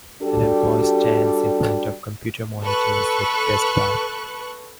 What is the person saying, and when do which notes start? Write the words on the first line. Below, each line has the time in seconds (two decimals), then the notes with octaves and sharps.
An employee stands in front of computer monitors at Best Buy.
0.22 G3 D4 F#4 G4 A4
2.62 A4 B4 C#6 F#6